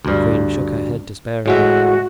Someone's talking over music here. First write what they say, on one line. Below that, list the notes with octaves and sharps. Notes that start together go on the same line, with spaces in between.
The queen shook her head despairingly.
D2 G2
A2 G#3 F#4 E5